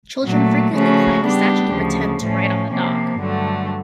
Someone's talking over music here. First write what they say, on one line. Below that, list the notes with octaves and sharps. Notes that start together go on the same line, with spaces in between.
Children frequently climb the statue to pretend to ride on the dog.
A#2 F#3 A3
C#3 F3 A3 C#4 F#4
G3 B3 D4 G4
D2 C#3 F3
A2 F3 A3 C#4
C3 F3 A#3
G2 D3 F#3 A3